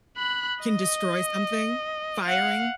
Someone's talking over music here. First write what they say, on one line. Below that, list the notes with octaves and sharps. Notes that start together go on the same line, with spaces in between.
can destroy something? Firing?
B5 F#6
D#5
F5 F#5